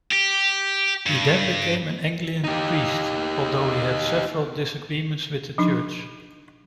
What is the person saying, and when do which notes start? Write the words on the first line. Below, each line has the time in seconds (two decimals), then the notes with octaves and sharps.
He then became an Anglican priest, although he had several disagreements with the church.
0.11 G4
1.06 G2
2.44 D#4 G4
5.58 F3 D4 D#4